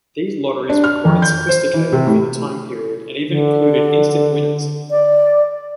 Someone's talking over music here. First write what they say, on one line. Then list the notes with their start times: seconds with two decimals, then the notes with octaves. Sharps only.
These lotteries were quite sophisticated for the time period and even included instant winners.
0.70 D4
0.84 F6
1.05 F2
1.22 G6
1.49 C5
1.74 E3
1.93 C3
2.07 A2
3.29 D3
4.91 D5